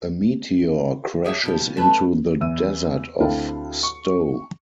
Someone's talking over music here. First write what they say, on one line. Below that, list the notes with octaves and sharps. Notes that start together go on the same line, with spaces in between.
A meteor crashes into the desert of Sto.
G4 G#4 C#5 E5
B2 F3 G4
A3 A4 B4
E2 E5 E6 D#7
D2 C4 D4 E4 A4 F5
C#6